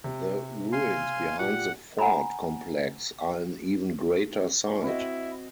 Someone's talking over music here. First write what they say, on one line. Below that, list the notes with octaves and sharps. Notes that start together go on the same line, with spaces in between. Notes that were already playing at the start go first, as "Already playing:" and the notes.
The ruins behind the fort complex are an even greater sight.
C3
F5 G#5 C6
A#2 G4 F#5
F#5 G#5 A#5 B5
C4 E4 F#4 D#5